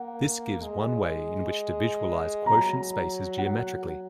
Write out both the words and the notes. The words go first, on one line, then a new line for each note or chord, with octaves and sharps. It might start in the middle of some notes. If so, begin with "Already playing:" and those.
This gives one way in which to visualize quotient spaces geometrically.
Already playing: A#3 F#5
G#3
F#3 A#5
F#5